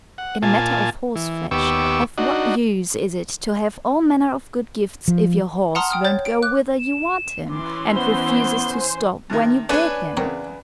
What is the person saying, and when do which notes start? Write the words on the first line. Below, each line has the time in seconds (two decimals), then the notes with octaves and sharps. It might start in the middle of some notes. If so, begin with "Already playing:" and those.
In a matter of horseflesh of what use is it to have all manner of good gifts if your horse won't go whither you want him, and refuses to stop when you bid him?
0.18 F#5
0.43 A#2 F4 G#5 A5
1.16 E3
1.51 D#2 B3 G4 C#6 D6 E6
2.18 D4 D#4 F#4
5.08 F3
5.75 F#5 A5 A#5 C6 D#6 F6
5.90 G5 D#6 F6
6.05 C#5 G6 A6
6.25 D7
6.42 D6 F#6
6.79 E7
7.50 E3 C#4 C6 D6
7.96 B3 C5 G7
8.73 G#5
9.30 G2 C3 D#3
9.69 A3 C#4 D4 G#4 B4 C#5 G#5
10.17 E2 C#3 C4 A#4 C#5